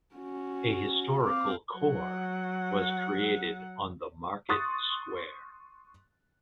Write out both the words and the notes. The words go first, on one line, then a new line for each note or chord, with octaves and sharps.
A historical core was created on the market square.
C#4 F#4
C4 F5 D6
F#3 F#5
C6 C#6 D#6 F#6 A6